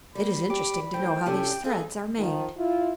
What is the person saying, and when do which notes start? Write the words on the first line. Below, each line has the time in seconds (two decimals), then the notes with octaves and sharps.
It is interesting to know how these threads are made.
0.15 G3 A3 A#3 B5
0.50 G3 G4 D6
0.94 E3 A3 C5 G5
1.26 C3 C#4 D4 G4 A4
1.64 D#4 G#4 A4 F5
2.18 D#3 F3
2.57 E4 F4